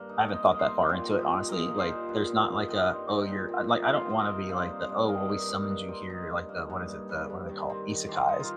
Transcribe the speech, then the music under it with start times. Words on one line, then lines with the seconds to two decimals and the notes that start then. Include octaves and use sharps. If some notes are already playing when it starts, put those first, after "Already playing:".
I haven't thought that far into it, honestly, like, there's not like a, "Oh, you're" like, I don't wanna be like the, "Oh, well, we summoned you here," like the what is it the what are they call- isekais?
Already playing: G2 A#3 A#4 F5
0.09 D#4
0.28 C3 D#5 G5
0.48 A#3 D#5
0.59 C5 F5
0.69 D#4
0.88 A#2 G4 C5
1.09 D#4
1.18 G4 C5
1.29 A#2
1.49 A#2 A#4 D#5
1.68 D#4
1.79 C5 F5
1.89 A#2
2.09 G2
2.29 C4
2.49 D#4
2.68 G2 D#5 G5
2.89 C4
3.08 D#4
3.29 A#2
3.49 C4
3.69 D#4
3.88 C3 C5 F5
4.09 C4 C5
4.19 A#4 D#5
4.28 C3
4.49 G2 C5 F5
4.69 A#3
4.89 G2
5.08 G2 A#4 D#5
5.29 D#4
5.39 G4
5.48 G2
5.69 G2
5.88 C4
6.10 D#4
6.30 G2
6.49 A#3
6.70 G2
6.89 G2
7.09 G3
7.30 G2
7.49 D#3
7.70 C4
7.90 D#3
8.09 D#3 G4 C5
8.29 D#4
8.40 F4 A#4